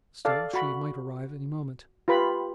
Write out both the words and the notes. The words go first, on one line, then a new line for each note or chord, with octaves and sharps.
Still she might arrive any moment.
A4 D5 F5
F#4 B5
F4 G4 B4 B5